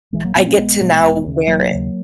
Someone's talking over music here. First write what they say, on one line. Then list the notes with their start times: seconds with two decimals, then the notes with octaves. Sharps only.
I get to now wear it.
0.13 A#1 E3 G#3
0.24 F#3 A#3
0.36 A#2 G#3 B3
0.47 A#3 C#4
0.58 A#1 G#3 B3
0.81 A#2
1.02 E1
1.26 D#2 C#3
1.47 E1 F#3 A#3
1.71 D#2 C#3